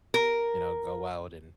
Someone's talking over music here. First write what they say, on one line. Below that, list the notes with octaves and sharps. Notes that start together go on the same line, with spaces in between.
you know, go out and
A#4